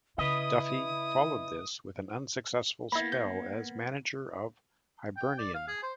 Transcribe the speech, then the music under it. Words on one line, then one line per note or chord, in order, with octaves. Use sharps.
Duffy followed this with an unsuccessful spell as manager of Hibernian.
C#3 E4 B4 D#5 D#6
A#3 B3 E4 B5
G6
G5
D5
F5
G#4
C5